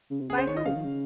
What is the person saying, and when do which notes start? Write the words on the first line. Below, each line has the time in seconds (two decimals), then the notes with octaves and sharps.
"By whom?"
0.11 C#3
0.20 C3
0.29 C#3 G#4
0.38 C5
0.47 D#3 C#5
0.56 D#5
0.66 C#3 F5
0.76 D#3
0.85 C#3